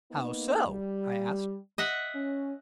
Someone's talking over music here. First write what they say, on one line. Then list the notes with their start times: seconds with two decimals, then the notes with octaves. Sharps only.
"How so?" I asked.
0.12 A#3 B3 D#4
0.68 G3
1.78 D#5 E5 F#5
2.15 C#4